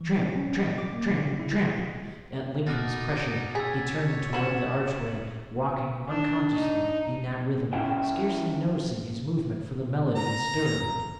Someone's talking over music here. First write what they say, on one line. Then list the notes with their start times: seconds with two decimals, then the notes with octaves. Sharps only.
Tramp, tramp, tramp, tramp; at Lincoln's pressure he turned towards the archway, walking unconsciously in that rhythm, scarcely noticing his movement for the melody and stir of it.
0.01 E3
0.22 C4
0.36 C#4
0.62 D#5
0.78 D6
0.93 A#3
1.10 D3
1.26 C#3
1.39 E4
2.66 B2 D#4 D6 F6 A6
3.55 G#4 C#5 E6 A6 B6
4.33 E3 C#4 F#4 C#7 E7 F#7
6.09 D4
6.54 D#4
7.73 C2 C#4 E4 A4 E5 G5
10.15 A#5